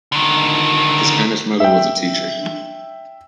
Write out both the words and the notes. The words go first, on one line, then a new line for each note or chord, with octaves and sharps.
His Spanish mother was a teacher.
D3 D#3
E5 G5